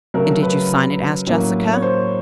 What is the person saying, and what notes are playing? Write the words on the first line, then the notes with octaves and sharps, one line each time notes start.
"And did you sign it?" asked Jessica.
C#3 F#3 A3 A#4
B4
A2 F#3 A#3 C#4
C#5
C5